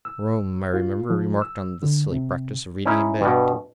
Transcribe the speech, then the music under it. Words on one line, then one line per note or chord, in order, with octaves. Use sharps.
Rooum, I remember, remarked on the silly practice of reading in bed.
E6
F4
F3
E6
D3
C3
C#4 D#4 E4
G2 B2